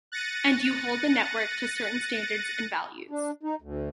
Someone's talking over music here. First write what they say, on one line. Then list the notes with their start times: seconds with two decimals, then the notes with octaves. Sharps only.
And you hold the network to certain standards and values.
0.12 F#6 A6 A#6 C#7 D#7
3.10 D4
3.43 D#4
3.62 D2